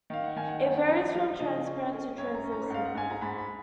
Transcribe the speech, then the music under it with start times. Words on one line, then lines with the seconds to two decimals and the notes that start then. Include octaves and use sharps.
It varies from transparent to translucent.
0.10 D#3 F5
0.24 F#5
0.36 D#3 G#5
0.49 F#5
0.62 F#2
0.88 F3
1.14 F3 F5
1.35 F5
1.40 C#3 D#5
1.65 C#4
1.92 C#4
2.18 F#2 C#5
2.35 A#5
2.44 C#4
2.52 A#5
2.70 G#2 F5
2.85 F#5
2.95 G#2 G#5
3.10 A#5
3.21 G#2 B5
3.38 B5